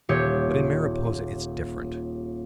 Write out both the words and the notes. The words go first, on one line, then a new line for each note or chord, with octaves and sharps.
But in Mariposa it's different.
D#1 G4 C#5